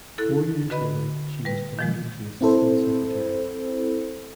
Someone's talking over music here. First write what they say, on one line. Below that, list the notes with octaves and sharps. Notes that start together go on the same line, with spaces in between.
Four years later she was promoted to assistant secretary.
E4 A4 F#6
D3 F#4 B4 D#5 B5
G3 B4
D#3 F3 G#3
C4 E4 A4 C5